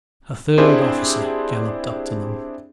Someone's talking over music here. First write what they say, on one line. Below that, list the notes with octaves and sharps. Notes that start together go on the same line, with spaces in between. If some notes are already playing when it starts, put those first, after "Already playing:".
A third officer galloped up to them.
C4 D4 E4 G4 G#4 C5